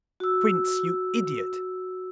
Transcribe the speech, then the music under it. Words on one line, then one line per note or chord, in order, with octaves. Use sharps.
"Prince, you idiot!"
F#4 E6